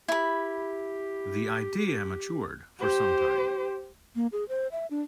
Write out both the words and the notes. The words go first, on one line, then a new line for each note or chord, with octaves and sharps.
The idea matured for some time.
E4 G4 B5
G4 C5
A#3
G#4
C5
E5
D4